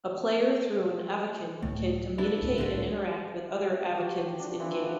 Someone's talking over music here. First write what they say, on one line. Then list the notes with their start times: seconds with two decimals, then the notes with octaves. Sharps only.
A player through an Avakin can communicate and interact with other Avakins in game.
1.62 C#2 A2 D3 A3
2.18 B3 D4 E4
2.42 C#2 G#2
2.58 C2 A2 D3 G#3 A3
3.97 F3 F#4 G4
4.40 D4
4.59 E3 F3 C4